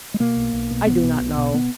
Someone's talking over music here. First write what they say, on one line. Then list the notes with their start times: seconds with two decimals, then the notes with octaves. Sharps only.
I do not know.
0.14 G#3
0.20 B2 A#3
0.37 B1
0.53 B1
0.71 B2
0.87 B1 B3
1.04 B2
1.20 B1
1.37 B2
1.54 B3